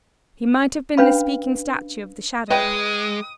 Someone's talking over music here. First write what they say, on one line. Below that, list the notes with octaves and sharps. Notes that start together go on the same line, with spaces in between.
He might have been the speaking statue of the shadow.
C#4 D4 B4 F5 B5
G#3 B4 D#5 G5 D#6